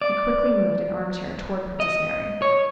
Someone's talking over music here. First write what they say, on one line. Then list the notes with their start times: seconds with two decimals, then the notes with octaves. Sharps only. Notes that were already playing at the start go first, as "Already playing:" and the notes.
He quickly moved an armchair toward Princess Mary.
0.01 D5
1.80 D#5
2.42 C#5